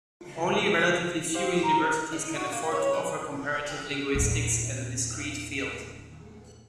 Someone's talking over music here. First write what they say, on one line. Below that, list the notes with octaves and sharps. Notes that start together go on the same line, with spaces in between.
Only relatively few universities can afford to offer Comparative linguistics as a discrete field.
G4 C5 F5
A#5
D#4
F#4
A#3
C#5
B4
E2 A#2